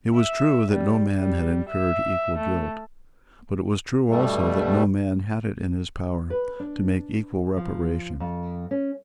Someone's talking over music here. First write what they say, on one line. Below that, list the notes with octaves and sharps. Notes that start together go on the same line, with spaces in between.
It was true that no man had incurred equal guilt; but it was true also that no man had it in his power to make equal reparation.
E5
G3
G3
E5
A3
G2 B2 G3 A3
B4
D4
F3
F2
C#4